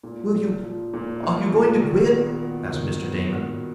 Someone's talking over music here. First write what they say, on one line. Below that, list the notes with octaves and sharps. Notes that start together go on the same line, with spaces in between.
"Will you--are you going to quit?" asked Mr. Damon.
A#2
A#2
F3
A#2
A#2
A#2
D#3
B3
F#4
D#3
B3
F#4